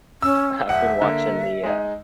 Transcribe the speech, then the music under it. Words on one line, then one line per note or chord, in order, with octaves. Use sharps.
I've been watching the, uh
C#4 E6
D#1 E5 F#5
D3 A#3
G#3 D#4